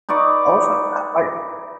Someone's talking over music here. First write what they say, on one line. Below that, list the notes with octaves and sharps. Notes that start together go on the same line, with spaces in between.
I wasn't uh, like
D#4 B4 D5 C#6